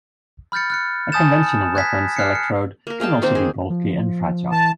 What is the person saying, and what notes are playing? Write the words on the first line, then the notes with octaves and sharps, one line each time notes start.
A conventional reference electrode can also be bulky and fragile.
B5 F6 G6 A6 C#7
F6 F#6 C#7
G#5 A5 D#6 G6 A6 E7
F#6 G#6 B6
F6 F#6 C7 C#7
C#7
A#3 A#4
G#4 F5 G5 A5
D#3 A#3 C4 C5
G#4
F3
E3 A5